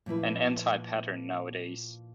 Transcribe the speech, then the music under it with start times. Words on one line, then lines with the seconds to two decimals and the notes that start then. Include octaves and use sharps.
An anti-pattern nowadays.
0.06 A#2 F3 E4 B4